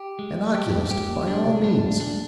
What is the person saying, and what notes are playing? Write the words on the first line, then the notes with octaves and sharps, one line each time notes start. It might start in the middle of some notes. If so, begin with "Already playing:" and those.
An oculist, by all means.'
Already playing: G4
G#3
G4
F2
G2
G#2
A#2 G4
D3 D4
C3
A#2
G#2
G2 D4
G#2
A#2 D4